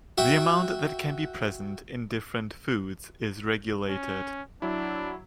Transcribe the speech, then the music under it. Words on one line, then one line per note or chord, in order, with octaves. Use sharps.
The amount that can be present in different foods is regulated.
F#4 E5 F#5 G5
C#4
F#3 D4 E4